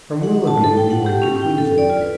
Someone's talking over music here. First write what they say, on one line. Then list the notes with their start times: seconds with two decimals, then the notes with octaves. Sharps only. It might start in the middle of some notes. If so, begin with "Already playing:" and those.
From Willoughby we went to Cleveland.
0.23 F#5
0.47 A5
0.64 A4
0.77 G5
0.90 F#5
1.06 G4
1.22 C#4
1.42 G5
1.58 A4
1.78 D5
1.90 F4
2.01 B4